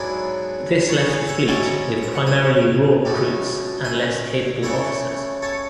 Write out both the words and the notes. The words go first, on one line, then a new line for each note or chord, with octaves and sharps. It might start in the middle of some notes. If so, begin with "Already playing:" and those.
This left the fleet with primarily raw recruits and less capable officers.
Already playing: G#2 F#3 B3 D4 E4 G#4
A4 C#5
G#4 B4
C#5 E5
G#2 F#3 C#4 E4 D5 F#5
E5
F#5
E5 G#5
C#2 B2 A3 D4
E5 G#5
C#3 E3 A3 E4 C#5 E5
A4 C#5